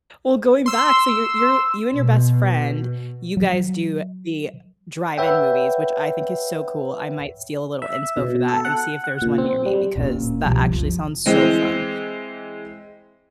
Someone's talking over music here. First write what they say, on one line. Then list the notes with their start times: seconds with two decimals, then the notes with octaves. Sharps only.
well, going back, so you're you're you and your best friend, you guys do the drive-in movies, which I think is so cool, I might steal a little inspo for that and see if there's one near me because that actually sounds so fun.
0.66 C6 E6
1.92 B2
3.37 F#3
5.18 B4 C#5 E5 F#5 G5
7.82 E5
8.17 B2
8.48 A4
8.65 F#5
9.04 F#5
9.22 A#2
9.38 C4
9.66 G3
9.96 D1 A#2 C#4
10.45 C2 B2 F3 G3
10.69 F#1 C#2 F3
11.26 E3 G#3 C4